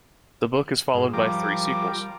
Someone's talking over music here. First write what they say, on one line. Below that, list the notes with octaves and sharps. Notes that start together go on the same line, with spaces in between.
The book is followed by three sequels.
G#2
F3 G3 A#4 D6